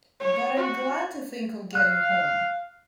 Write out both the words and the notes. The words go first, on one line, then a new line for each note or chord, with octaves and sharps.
But I’m glad to think of getting home.
C#5
F#4
F5 F#6